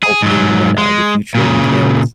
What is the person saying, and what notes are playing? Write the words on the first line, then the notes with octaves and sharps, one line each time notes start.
hoping that, uh, the future entails,
G#4
G#2 F#3
G#3
A#2 C#3